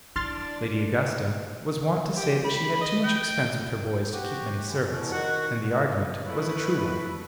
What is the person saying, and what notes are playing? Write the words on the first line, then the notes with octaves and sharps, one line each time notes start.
Lady Augusta was wont to say that she had too much expense with her boys to keep many servants; and the argument was a true one.
D4 E4 D5 C6 F6 A6
G4
B5
D#5
G5
F#4 G4
F#2
E2 B2
D#3 F#4 F#5
A3 E4 F#4 B4